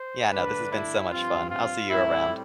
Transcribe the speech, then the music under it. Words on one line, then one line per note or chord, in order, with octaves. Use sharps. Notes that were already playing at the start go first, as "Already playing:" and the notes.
Yeah, no, this has been so much fun, I'll see you around.
Already playing: C5
G2 D3 A3 D4 B4
E4
G2 F3 C4 F4
F4
A2 G3 C4 E4